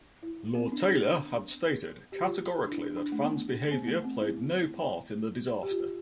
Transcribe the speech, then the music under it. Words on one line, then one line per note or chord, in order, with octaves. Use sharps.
Lord Taylor had stated categorically that fans' behaviour played no part in the disaster.
E4
B3
C4
D4
G4
F4
D4
E4
D4
A3
B3
B3
A3
C4
E4
G4
F4